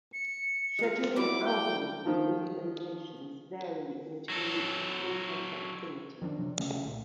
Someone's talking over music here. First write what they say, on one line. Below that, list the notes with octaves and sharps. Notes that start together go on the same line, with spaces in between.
Scheduling-algorithm implementations vary in adherence to processor affinity.
C#7
G#3 F4
F#3 G3 E4 D6
G5
D#3 F3
F#3 A4
D#3 F3 G#3 D4
C3 F#3
D2 C#3 A3 C#4
C2 A#2